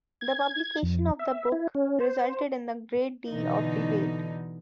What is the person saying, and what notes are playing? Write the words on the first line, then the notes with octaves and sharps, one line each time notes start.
The publication of the book resulted in a great deal of debate.
G#6
F2
E5
E4
C#4
C5
B2 D3 E3 D#4